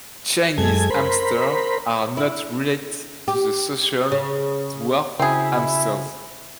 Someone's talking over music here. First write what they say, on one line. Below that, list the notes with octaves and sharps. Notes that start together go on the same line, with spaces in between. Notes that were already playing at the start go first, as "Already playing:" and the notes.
Chinese hamsters are not related to the social "dwarf" hamsters.
F#2 G#3 A4 G#6
A#4 C5 B5
E4
G4
C#3
C#3 C4 E4 F#4 G#4